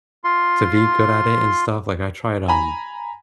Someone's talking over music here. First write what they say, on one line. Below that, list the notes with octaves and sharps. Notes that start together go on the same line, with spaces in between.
to be good at it and stuff, like, I tried, um,
F4 C6
G#5 A#5 B5